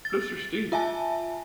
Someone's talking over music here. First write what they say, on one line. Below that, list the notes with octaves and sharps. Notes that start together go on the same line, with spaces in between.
cliffs are steep.
A6
F4 E5 G#5 A5